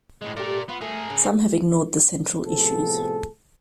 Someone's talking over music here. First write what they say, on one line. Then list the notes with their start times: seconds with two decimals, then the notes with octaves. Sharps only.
Some have ignored the central issues.
0.22 A2 G#3
0.37 A3 G4 A#4 D5
0.69 B3 F4
0.81 A3 G#4 A#4
1.10 C#3
2.44 A2 C3 F3 B3 G#4 A4